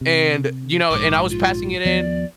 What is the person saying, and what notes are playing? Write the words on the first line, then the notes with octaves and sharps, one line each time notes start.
And, you know and I was passing it in
C3
A#1 G#2 D6
F4
D#2 F3 B3 D5